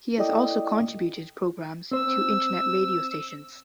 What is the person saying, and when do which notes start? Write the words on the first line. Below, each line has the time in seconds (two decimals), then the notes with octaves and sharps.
He has also contributed programmes to Internet radio stations.
0.18 E4 A4 D5 D#5 G5 D#6
1.91 C4 C5 E6